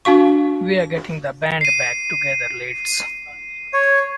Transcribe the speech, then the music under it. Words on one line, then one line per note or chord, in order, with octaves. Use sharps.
We're getting the band back together lads!.
D4 F#4 F5 C#6
C7 D#7
C#5